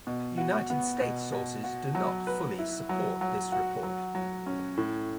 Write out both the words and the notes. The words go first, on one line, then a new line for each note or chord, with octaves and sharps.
United States sources do not fully support this report.
B2
F#4
B3
B2
B2
F#4
F#3
B4
E4
F#3
F#3
F#4
F#3
F#3
C#4
A2